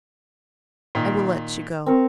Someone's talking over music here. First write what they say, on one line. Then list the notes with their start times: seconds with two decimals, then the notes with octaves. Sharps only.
"I will let you go."
0.95 A#2 D#3
1.86 C4 A#4 C#6